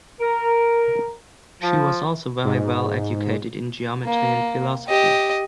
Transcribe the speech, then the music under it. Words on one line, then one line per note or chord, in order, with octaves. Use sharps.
She was also very well educated in geometry and philosophy.
A#4
F3
G#2
A#3
G4 D#5